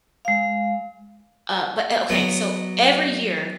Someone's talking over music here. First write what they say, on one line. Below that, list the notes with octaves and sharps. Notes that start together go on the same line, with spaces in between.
uh, but o okay, so, every year,
G#3 F5
F#3 B3